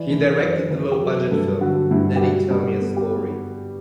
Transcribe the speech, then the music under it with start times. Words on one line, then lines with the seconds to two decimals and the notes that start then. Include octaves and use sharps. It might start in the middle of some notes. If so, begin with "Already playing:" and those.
He directed the low-budget film "Daddy Tell Me A Story..."
Already playing: E3 D5
0.11 E3
0.41 F#2 C5
0.71 E3 B4
0.92 G4
1.00 F#3 A4
1.27 B4
1.31 G2 A4
1.61 D3 F#4
1.91 G2 E4
2.16 G4
2.21 G3 F#4
2.51 G3
2.81 B3 A4
2.96 G4